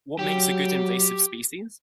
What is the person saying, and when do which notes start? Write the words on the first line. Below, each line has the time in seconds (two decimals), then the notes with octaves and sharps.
What makes a good invasive species?
0.19 F#3 G4